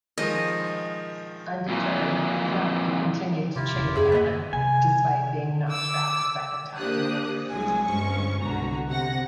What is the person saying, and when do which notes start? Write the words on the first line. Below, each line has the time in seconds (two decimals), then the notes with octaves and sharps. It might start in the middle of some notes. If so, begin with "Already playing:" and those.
Undeterred, Matthew continued to chase Anna despite being knocked back a second time.
0.18 D#3 F3 G#3 D#5
1.68 F2 A#2 E3
3.55 C3 E4 F4 G4
3.74 E1 C#3 C#4
3.95 F#2 E4 G#4 E5 B5
4.12 A#3 B3 D#5
4.53 C3 G#5
5.69 D6 E6
6.78 A#3 D4 G4 C5 D#6 F#6
7.49 C2 F#3 G#3 G#5
7.85 G1 G2 G#3 C#4 C5 C#6
8.41 C2 B2 D3 F#4 A#5
8.87 C3 F#5 A#6